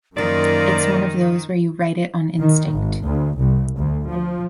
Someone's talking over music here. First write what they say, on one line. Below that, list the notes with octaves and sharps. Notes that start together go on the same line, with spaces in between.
It’s one of those where you write it on instinct.
F#2 D#3 A#3 F4 A#4 C5 D5
D#3
G#1
D2
C2
D2
F3